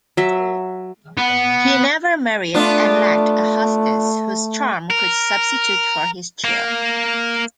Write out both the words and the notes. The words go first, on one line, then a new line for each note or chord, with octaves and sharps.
He never married and lacked a hostess whose charm could substitute for his chill.
F#3 E5
B3
A3 B3 D4 F4
A#4
A#3